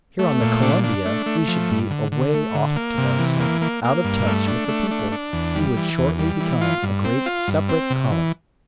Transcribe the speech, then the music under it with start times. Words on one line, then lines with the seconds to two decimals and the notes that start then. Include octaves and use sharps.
Here on the Columbia we should be away off to one side, out of touch with the people who would shortly become a great separate commonwealth.
0.19 A3
0.41 A#2
0.63 D4
0.84 D4
1.06 A3
1.26 A3
1.48 F3
1.70 G2
1.90 D3
2.12 D3
2.34 A3
2.55 D3
2.76 A#3
2.98 C3
3.19 E3
3.40 A#3
3.62 A#3
3.84 A#3
4.04 G2
4.27 A3
4.48 D4
4.69 A3
4.91 D4
5.12 D4
5.33 E2
5.55 G3
5.77 E3
5.98 E2
6.19 G3
6.40 E3
6.61 F4
6.83 G2
7.05 C4
7.26 F4
7.48 G2
7.69 C4
7.90 C3
8.12 E3